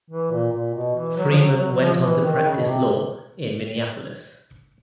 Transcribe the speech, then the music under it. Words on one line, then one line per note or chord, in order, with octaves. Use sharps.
Freeman went on to practice law in Minneapolis.
E3
A#2
A#2
B2
E3
F#3
F3
F#3
F#3
F#3
F3
E3
D#3
C#3
B2
C3